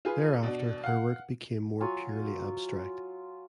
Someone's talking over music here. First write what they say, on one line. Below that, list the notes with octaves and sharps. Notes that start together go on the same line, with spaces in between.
Thereafter her work became more purely abstract.
F4 G#4 B4
B2 D4
F5 F#5
F#3 F4 G#5